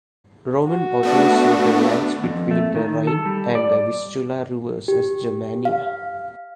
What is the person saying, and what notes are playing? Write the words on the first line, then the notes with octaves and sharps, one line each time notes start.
Roman authors saw the lands between the Rhine and the Vistula rivers as Germania.
F#4
A3 B3 D4
F2
A3
D#3
A4
G3
D5
G4
F5